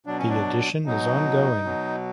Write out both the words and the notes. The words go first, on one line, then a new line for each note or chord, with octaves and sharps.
The edition is ongoing.
B2 F#3 D4
C#4
D4
B2 F#3 D#4
B2 F#3